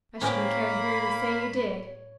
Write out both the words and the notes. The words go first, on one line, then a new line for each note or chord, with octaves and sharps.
I shouldn't care to hear you say you did.
A2 A#3 C#4 C#5 G5 B5